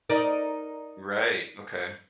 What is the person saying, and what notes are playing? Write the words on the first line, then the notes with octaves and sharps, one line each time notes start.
Right. Okay.
D#4 A#4 D5